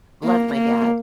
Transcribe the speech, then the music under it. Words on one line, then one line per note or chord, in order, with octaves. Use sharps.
love my dad-
A#3
A#3